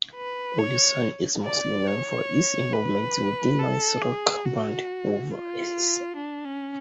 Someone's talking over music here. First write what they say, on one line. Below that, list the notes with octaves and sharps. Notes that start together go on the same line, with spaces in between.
Olson is mostly known for his involvement with the noise rock band Wolf Eyes.
B4
C#5
D5
C#5
B4
A4
G#4
F#4
F4
D4
C#4